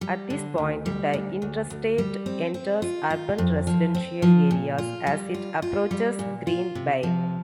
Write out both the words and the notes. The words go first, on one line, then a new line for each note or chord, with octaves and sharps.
At this point, the Interstate enters urban residential areas as it approaches Green Bay.
G3
D3
D2
G3
D2
D2
D2
G3
C4
C4
F4
F4
F2
F3
C4
F3
A#2
F4
G3
F4
F4
G3
A#2
F4
C3
F3